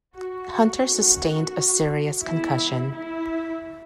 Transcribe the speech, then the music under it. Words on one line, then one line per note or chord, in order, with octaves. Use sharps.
Hunter sustained a serious concussion.
F#4
D#3 A3 C#4 F#4
E3 G#3 B3 E4
E4